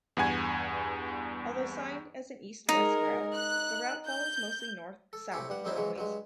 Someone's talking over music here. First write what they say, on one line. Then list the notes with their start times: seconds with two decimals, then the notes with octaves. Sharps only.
Although signed as an east-west route, the route follows mostly north-south roadways.
0.17 E2 G2 F#5 G#5 G#6
2.69 G#3 D#4 A#4
3.35 F#6
4.06 G6
5.13 A4
5.32 A2 C3 E4 G4 C#5
5.49 G2 G3 F#5
5.65 G3 A3 C4 D#4 E4 C5
5.76 C#3 E3 F#3 G#3
5.96 G2 F#3 G#3